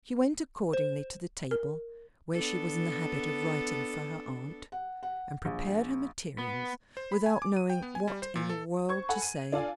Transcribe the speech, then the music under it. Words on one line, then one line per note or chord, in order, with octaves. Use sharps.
She went accordingly to the table, where she was in the habit of writing for her aunt, and prepared her materials without knowing what in the world to say.
C5
A#4
B3 D4 A4
F#5
F#5
A#1
B3
C5
B5
G#5
D6
D#7
G5
B3
G#5
G3
C5
A#2
A4
C5 C#6 G#6
A4 F#5 G#5 B5
D#7
D4 F4 A4 D5 F5 G#5